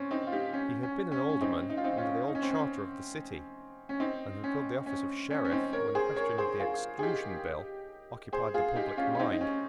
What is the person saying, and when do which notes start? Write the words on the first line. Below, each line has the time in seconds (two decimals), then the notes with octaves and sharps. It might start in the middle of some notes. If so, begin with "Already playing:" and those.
He had been an Alderman under the old charter of the City, and had filled the office of Sheriff when the question of the Exclusion Bill occupied the public mind.
Already playing: C4 C#4
0.11 C4 D#4
0.27 F4
0.32 D#4 G4
0.53 C#4
0.83 C#4
1.12 C#4
1.29 C#4
1.41 C4 D#4
1.70 D#4
1.77 F4
1.84 C4 D#4
1.98 C#4 F4
2.28 D#4
2.35 C#4
2.42 C4
2.51 C#4
3.89 C#4
4.00 C4 D#4
4.44 C#4
4.86 C#4
5.30 C#4
5.45 C#4
5.51 C4 D#4
5.73 A#4 C#5
5.95 G#4 C5
6.16 A#4 C#5
6.38 G#4 C5
6.60 F4 G#4
6.99 G#4
7.03 D#4 G4
8.33 G#4 C5
8.54 F4 G#4
8.75 D#4 G4
8.97 C#4 F4
9.15 C#4
9.19 C4 D#4
9.32 D#4
9.41 C#4